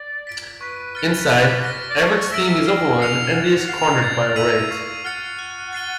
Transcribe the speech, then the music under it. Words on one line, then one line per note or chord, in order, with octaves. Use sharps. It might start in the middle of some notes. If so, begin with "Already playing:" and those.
Inside, Everett's team is overrun and he is cornered by a Wraith.
Already playing: D5
B6 D7
B4 C#6
F6 A6 C#7
D6
F6 A#6
D5
C#5 F6
C#5
E5 A#6 D7 F#7
E5
F5 F6
F5 A#6 C#7 F7
F5
F#5 A6
F5 C7 F7
D5 G#6
E5 C7 D#7 F#7
F5 C#6
F#5 F6 A6 C#7
F#6
A6 C7 D#7 G7